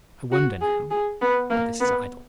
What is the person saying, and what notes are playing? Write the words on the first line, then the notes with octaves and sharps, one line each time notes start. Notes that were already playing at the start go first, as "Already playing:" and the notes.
I wonder now--But this is idle.
F#4
G#4
G#4
B3
A#3
B3